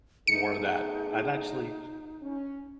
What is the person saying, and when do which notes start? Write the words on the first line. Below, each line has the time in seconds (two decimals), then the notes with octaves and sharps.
more of that. I'm actually
0.27 B2 A3 D#4 G#4 C#7
2.21 C#4